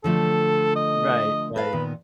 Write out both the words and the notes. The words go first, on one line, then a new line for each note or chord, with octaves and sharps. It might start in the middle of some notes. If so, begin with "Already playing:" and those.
Right. Right.
D3 F3 A3 A4
D#5
A4 B4 F5
A#2 D#3 B3